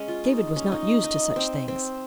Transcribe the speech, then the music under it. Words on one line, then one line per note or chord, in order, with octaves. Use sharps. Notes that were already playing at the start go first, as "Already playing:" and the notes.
David was not used to such things.
Already playing: G#3 C#4
F4
D#4
C#4
D#4
D#4
C4
C4